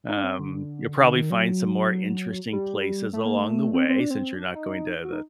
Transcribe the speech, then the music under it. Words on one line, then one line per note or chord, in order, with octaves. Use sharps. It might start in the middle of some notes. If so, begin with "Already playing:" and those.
Um, you'll probably find some more interesting places along the way since you're not going to the
D#4
D4
C4
D3
D3
D#3
F#3
G3
A3
A#3
A3
C4
C4
D4
C4
D4
F#4
D#4
F#4
D#4